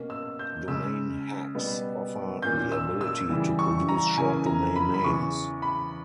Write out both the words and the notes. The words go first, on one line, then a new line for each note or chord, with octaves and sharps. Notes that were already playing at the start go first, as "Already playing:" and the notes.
Domain hacks offer the ability to produce short domain names.
Already playing: B2 A#3 C#4
E6
G6
C#3 G#3 C#4 E6
B2 G3 B3
A#2 A#3 C#4 G6
E6
E6
C#3 E3 G3
C#6
A#5
C#3 E3 A#3 C#4 G#5
A#5
B5
B5
E2 C#3 E3 C#6
B5